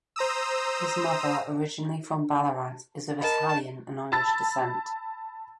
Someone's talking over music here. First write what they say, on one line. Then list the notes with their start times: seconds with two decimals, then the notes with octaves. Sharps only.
His mother, originally from Ballarat, is of Italian and Irish descent.
0.16 C5 A#5 D#6 E6
3.21 A#4 D#5 A5 B5
4.12 A5 B5 E6 A6